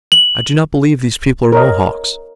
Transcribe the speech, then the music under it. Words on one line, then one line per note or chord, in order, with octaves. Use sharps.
I do not believe these people are Mohawks.
F#7
A#4 C#5 D#5